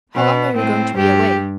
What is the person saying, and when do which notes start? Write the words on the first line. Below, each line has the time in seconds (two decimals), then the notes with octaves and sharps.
"How long are you going to be away?"
0.15 B2 B3
0.56 A2 C4
0.96 G2 G4